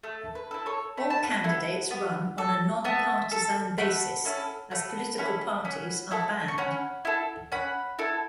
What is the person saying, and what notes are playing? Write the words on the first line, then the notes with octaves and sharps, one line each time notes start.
All candidates run on a non-partisan basis, as political parties are banned.
A3 A4
B4
E4 A4
A4 C#5
A3 B5
A5
F#5 B5
E4 A4
B3
A4
B3 E5 A5
A4
A3 F#5 B5
C#4 E4 A4
A3 F#5 B5
C#4 E4 A4 F#5 B5
C#4 F#5 B5
E4 A4 F#5 B5
C#6
C#4 F#5 B5
E4 A4
C#4 F#5 B5
E4 A4